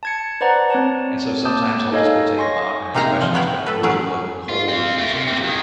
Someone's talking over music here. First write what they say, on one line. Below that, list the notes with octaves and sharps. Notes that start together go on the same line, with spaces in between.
and, so, sometimes I'll just go take 'em out and especially it's been really, really w cold this winter,
A5 G#6 C#7
B4 C5 D5 F#5 A#5
C4 C#5 A5
A#3 A5 D6 D#6 G6
D#4 A4 C#5 D#5 F5 G#5
G#5 C6 C#6 A#6
C3 A#3 D#4 G#4 A#5
F3
B3 C#5 F#5 G5
A4 B4
F#3 C#4 G#4
F4
C4 F4
A3 A#4
C3
A#3 C4
D#3 G#3